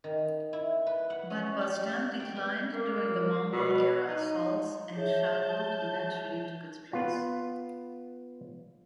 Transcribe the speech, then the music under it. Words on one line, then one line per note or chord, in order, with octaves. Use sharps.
But Bastam declined during the Mongol era assaults, and Shahrud eventually took its place.
D#3
E4
B4
F#5
C#4
G4
G5
B4
A#3
B2
D#4
G#4 C#5 E5 A5 G6
B3 F4